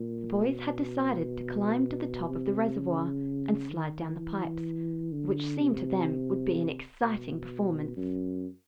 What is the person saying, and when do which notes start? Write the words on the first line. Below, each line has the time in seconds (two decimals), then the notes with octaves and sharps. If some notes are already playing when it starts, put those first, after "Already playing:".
The boys had decided to climb to the top of the reservoir and slide down the pipes, which seemed to them would be an exciting performance.
Already playing: A#2
0.39 B2
2.29 C3
2.76 C#3
3.70 D#3
4.18 E3
5.12 D3
5.60 C3
7.01 B2
7.97 F#2